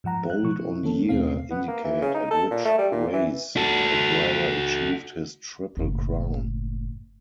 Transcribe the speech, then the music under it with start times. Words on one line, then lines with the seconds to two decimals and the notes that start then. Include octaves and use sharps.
Bold on year indicate at which race the driver achieved his Triple Crown.
0.04 G#2 F3 F#5 A#5
0.30 F#6
0.43 B2 F3 C#6
0.61 E4
0.83 D#3 A#3 C#4 A4
1.08 D#2 B2 A3 C4 F5 C7
1.51 B3
1.68 A#3
1.84 E3
2.02 C#3
2.15 D#4
2.31 A4
2.51 A#2
2.65 A3
2.78 G3
2.92 A#2
3.13 E3
3.57 F#4 A4
5.77 F#1 A2